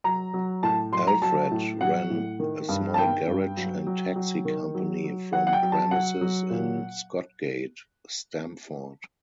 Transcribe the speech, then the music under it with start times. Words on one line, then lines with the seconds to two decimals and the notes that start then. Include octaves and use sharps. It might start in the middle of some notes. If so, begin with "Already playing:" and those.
Alfred ran a small garage and taxi company from premises in Scotgate, Stamford.
0.04 F#3 A#5
0.34 F#3
0.63 A2 A5
0.93 F#3 C6
1.07 A#5
1.22 F#3 A5
1.51 A2
1.81 F#3 F#5
2.10 A2
2.39 D#3
2.69 G2
2.94 A5
2.98 D#3 G5
3.27 G2
3.57 F#3
3.87 F#3
4.16 F#3
4.45 D#3
4.74 F#3
5.04 F#3
5.33 F#3 F#5
5.47 F#5
5.53 G5
5.62 F#3
5.72 A5
5.91 F#3 F#5
6.21 F#3
6.50 A#2